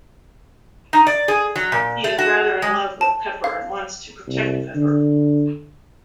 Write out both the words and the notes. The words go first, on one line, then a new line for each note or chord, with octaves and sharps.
He is rather in love with Pepper and wants to protect Pepper.
D#4
D5
G#4
F#3
A#2
A3
F#4
G#3
A5
F5
C2
D3